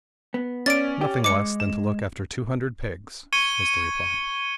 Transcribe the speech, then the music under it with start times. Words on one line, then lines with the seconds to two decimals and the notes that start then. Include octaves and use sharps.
'Nothing less than to look after two hundred pigs,' was the reply.
0.34 B3
0.66 C#4 D5 A6 D7
1.01 G4
1.24 G#3 D6 C#7
1.60 E7
3.33 C#6 G#6 C#7 D#7 G7